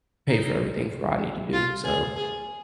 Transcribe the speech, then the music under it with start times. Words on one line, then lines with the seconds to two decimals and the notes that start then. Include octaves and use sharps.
pay for everything for I need to do, so
0.29 D#4
1.53 F4
1.84 G#4
2.16 G#4